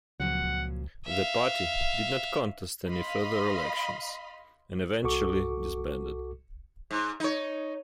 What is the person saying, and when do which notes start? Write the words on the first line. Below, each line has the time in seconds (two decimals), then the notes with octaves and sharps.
The Party did not contest any further elections, and eventually disbanded.
0.20 C#2 A#2 F3 F#3 F#5
1.06 E5 F5
2.88 D#5 F5 B5 C6
5.04 C2 F#4 A4 C#6 D6
6.91 G#2
7.20 D#4 C#5